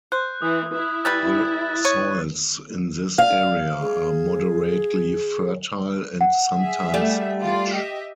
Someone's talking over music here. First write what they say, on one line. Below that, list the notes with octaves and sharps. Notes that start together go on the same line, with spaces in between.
The soils in this area are moderately fertile and sometimes rich.
C5 F#6
E3 D#6
E4
E3 G3 B4 F#6 A6
C#5 D#7
D5 F5
G#4
F#5
G#4 E5
G3 A3
F4 D5
G4 D#5 E5